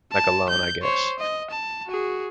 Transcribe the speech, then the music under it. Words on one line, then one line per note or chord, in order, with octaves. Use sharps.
like, alone I guess,
A5
G6
C5 C#5
D#5
A5
F#4 G#4